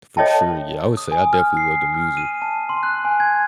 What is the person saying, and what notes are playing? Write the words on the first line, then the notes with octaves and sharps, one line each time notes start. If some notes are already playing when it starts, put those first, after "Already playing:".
For sure. Yeah. I would say, I definitely love the music.
A4 C#5 D#5 E5 G5 A5
D#6
G#5
F6
C7
F6
D#7
A5
C6
F#6
G#5
G#6